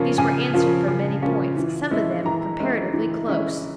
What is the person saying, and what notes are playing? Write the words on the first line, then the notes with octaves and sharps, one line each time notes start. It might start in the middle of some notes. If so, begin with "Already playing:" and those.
These were answered from many points, some of them comparatively close.
Already playing: C#3 F3 A#3 C#4 F4
C#3 G#5
F3 A#3 C#4 F4
C#3
F3 A#3 C#4 F4
E3
G#3 C#4 E4
E3 A#5
G#3 C#4 E4
E3
G#3 C#4 E4